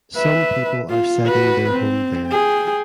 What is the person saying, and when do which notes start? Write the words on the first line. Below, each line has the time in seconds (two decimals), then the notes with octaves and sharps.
Some people are setting their home there.
0.16 B4 E5
0.90 F4
1.26 F#4 B4
1.71 C4
2.28 G#4 G5